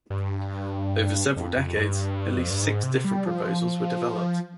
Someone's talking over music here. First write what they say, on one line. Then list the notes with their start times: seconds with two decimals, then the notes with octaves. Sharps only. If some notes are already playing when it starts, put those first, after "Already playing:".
Over several decades At least six different proposals were developed.
0.10 G2
1.36 F2
1.57 F2
1.77 G2
2.37 F2
2.50 G2
2.63 G#2
2.83 C3
3.05 G3
3.26 F3